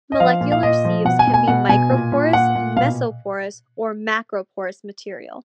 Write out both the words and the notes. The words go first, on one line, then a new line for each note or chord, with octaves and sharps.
Molecular sieves can be microporous, mesoporous, or macroporous material.
D#5
F3 F5
A#2
F5
A#2 D#5
F3
B2 F#5
G#5
B2
G#5
B2 F#5
B2 G#5
A#2
A#2
A#2 F#5
A#2
B2 F5